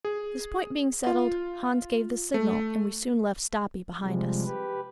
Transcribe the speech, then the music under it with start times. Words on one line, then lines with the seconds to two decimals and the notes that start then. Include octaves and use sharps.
This point being settled, Hans gave the signal, and we soon left Stapi behind us.
0.05 G#4
1.07 F4
2.34 A3
4.00 C3 F3 G3 G#3
4.45 G4 B4